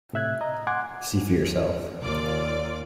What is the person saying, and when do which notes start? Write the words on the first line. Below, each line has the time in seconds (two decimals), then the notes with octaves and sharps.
See for yourself.
0.13 A2 C3 E5 F#6 G#6
0.41 D#5 A#5
0.67 F#5 G#5 C6 D6 F#6 G#6
2.01 D#2 F4 D5 D6